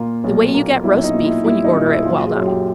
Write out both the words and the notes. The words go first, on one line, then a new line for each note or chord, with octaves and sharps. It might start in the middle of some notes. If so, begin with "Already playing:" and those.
The way you get roast beef when you order it well done.
Already playing: A#2 A#3 F4
B1
A#3
B1 E4
D#4
A#2
E4
G3 E4
D#4
A#2
E4
F#2 F4
G#4
F#2
G4